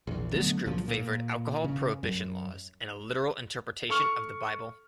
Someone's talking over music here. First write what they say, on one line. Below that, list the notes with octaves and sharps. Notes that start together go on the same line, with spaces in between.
This group favored alcohol prohibition laws and a literal interpretation of the Bible.
A#1 E2
D3 F#3 A3 B3
C#2 A#2 F3 F#3
A#2
C#3
F#2
A4 C#6 F6